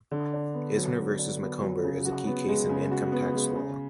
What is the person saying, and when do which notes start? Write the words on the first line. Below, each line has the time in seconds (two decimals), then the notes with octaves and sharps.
"Eisner versus Macomber" is a key case in income tax law.
0.11 D3
0.33 D4
0.54 B3
0.76 F#3
0.98 D3
1.19 D4
1.41 B3
1.62 F#3
1.83 C#3
2.05 F#4
2.27 B3
2.48 G#3
2.69 C#3
2.91 F#4
3.12 B3
3.35 G#3
3.56 C#3